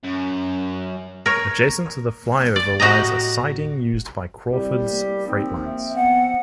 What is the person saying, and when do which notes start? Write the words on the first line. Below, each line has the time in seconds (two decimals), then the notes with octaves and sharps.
Adjacent to the flyover lies a siding used by Crawfords Freightlines.
0.04 F#2
1.26 A#4 C#5
2.56 D5
2.80 A2 F#4 G4 D#5 A#5
4.52 C2 G3 G4
4.92 A#3
5.26 F3 C4 D#4
5.66 E5
5.96 B3 F#5